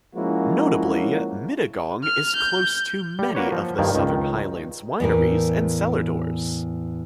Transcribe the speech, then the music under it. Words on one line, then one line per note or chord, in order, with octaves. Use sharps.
Notably, Mittagong is close to many of the Southern Highland's wineries and cellar doors.
F3 G#3 A#3 C#4 E4 F#4
F6
G6
G3
A#3 F#4 B4 C#5
F3
G2 D#3 F3 A#3
C#2 D#3
E2 A2 A#4